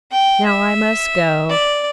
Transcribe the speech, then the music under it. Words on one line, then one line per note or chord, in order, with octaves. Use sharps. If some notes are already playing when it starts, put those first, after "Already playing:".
'Now I must go.
G5
E5
D5